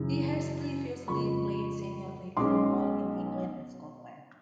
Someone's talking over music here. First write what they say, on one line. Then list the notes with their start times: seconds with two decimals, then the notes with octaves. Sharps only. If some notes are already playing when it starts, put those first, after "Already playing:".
He has previously played senior league football in England and Scotland.
Already playing: F#2 C#3 E3
1.08 F2 C#3 F3 G#3 B5 C#6
2.37 B1 B2 G#3 C#4 C6 D6